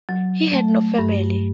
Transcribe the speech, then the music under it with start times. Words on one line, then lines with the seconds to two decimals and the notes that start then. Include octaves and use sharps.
He had no family.
0.09 F#3
0.53 A3
0.98 G2